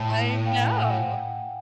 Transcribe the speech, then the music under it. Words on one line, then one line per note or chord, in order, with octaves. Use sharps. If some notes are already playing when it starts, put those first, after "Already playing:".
I know!
Already playing: A2 G5 A5
F5 G5
F#5 G#5